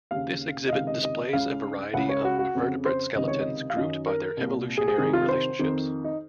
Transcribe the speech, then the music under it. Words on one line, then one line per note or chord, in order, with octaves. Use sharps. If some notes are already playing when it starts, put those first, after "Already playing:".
This exhibit displays a variety of vertebrate skeletons grouped by their evolutionary relationships.
D#2 C#3 F5
D#5
C#2 C3 D#3 F5
D#5
D#5
C#2 C#3 F5
C#2 C#3 F#5
C#5
F#4
F#4
F2 C#3
C5
C#2 C3 D#3 D#5
C#5
D#5
F5
F#2 D#3 D#5
A#4
C2 A#2
G#4
G#4
C2 C3 D#3 G#4
F4
C5
F2 D#3
D#4